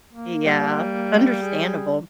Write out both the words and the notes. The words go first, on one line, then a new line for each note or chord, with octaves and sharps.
Yeah, understandable.
A#3
G3
G#4